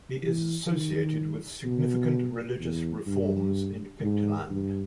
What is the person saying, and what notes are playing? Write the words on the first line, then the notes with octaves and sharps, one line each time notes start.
He is associated with significant religious reforms in Pictland.
E3
D#3
B2
E2
G2
G#2
G2